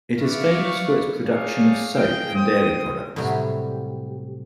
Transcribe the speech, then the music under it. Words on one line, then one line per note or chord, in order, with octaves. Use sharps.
It is famous for its production of soap and dairy products.
B4 D5 E5 F5 C#6
A3 D#4 G#4 C#5 D5 F5
G#4 D#5 F5 G5
C5 G5 D#6
A2 C3 F#3 G3